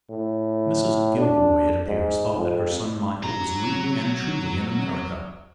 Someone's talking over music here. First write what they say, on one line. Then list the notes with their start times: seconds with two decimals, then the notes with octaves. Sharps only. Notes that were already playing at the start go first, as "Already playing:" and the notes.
Mrs. Gilroy, it appears, thought that her son, Michael, was really and truly in America.
0.10 A2
1.18 D4
1.86 G#2
2.37 F2
3.23 F#3 A#5